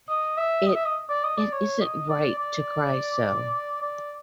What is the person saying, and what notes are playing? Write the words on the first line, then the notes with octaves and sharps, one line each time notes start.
It — it — isn’t right to cry so.
D#5
E5
D#5
E5
D#5
D5
D#5
D5
C#5
D#5
D5
D5
D5